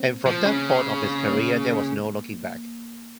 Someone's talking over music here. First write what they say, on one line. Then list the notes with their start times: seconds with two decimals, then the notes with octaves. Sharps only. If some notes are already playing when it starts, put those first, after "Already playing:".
And from that point of his career there was no looking back.
Already playing: A#3 C4
0.26 F3
0.46 C#3 C#4
1.28 A#3